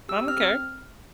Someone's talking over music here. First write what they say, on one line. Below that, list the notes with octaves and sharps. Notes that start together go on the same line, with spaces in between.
I don't care.
G4 E6
C4 F6